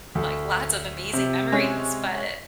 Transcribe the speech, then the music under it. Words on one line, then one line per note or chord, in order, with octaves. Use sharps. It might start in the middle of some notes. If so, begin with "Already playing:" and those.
like, lots of amazing memories. But,
D2
C3
G#3 C#4